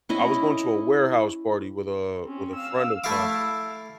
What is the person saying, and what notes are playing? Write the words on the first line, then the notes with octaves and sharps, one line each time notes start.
I was going to a warehouse party with a with a friend of mine,
C#4 E4 D#5
C4 C#4
F5 E6
A3 E4 E5 F5 D6